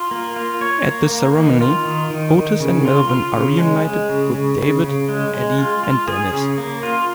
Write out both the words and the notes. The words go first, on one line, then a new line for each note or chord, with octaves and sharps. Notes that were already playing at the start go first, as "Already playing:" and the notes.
At the ceremony, Otis and Melvin are reunited with David, Eddie, and Dennis.
Already playing: F4
A#3
F4
C#5
A#3
A#3
D#3
F4
D#3
D#3
D#3
C#3
F4
F4
C#3
G#3
G#3
C#3
C#3
C#3
C#3
G#3
G#3
F4
F4
G#4
C#3
A#3
F4